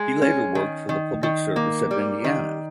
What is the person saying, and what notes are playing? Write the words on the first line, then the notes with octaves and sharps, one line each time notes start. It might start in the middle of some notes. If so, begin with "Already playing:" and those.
He later worked for the Public Service of Indiana.
Already playing: G#3
C#4
D#3
D#3
D#3
A#3
G3
D#3